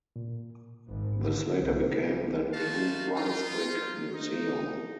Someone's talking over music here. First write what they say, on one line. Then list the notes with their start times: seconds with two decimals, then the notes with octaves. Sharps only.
This later became the New Brunswick Museum.
0.16 A#2
0.89 G#1
1.22 D3
1.59 C2
2.53 G3 D#4 F4 F#4 F5 A5
3.16 D#4 F4
4.13 D#4